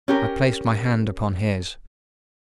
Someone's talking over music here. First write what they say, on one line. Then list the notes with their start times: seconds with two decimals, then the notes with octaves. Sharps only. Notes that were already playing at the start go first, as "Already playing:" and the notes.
I placed my hand upon his.
0.08 C#4 G4 A#4